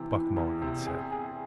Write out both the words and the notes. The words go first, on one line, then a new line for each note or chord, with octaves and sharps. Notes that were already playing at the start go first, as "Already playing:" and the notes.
Buck Mulligan said.
Already playing: C3 E3
E3
E2
C3
G#4
G#4